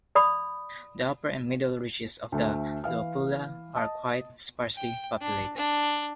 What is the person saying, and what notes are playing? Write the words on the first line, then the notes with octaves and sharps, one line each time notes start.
The upper and middle reaches of the Luapula are quite sparsely populated.
D5 B5 D#6
D2 A3
E3 F5 F6
D#5 A5 D#6
G5
D4
D4